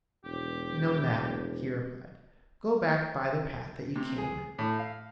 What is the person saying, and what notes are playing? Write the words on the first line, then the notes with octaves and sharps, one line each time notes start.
"No matter," he replied, "go back by the path that you came."
E1 G4
C3
G#4
A2
F5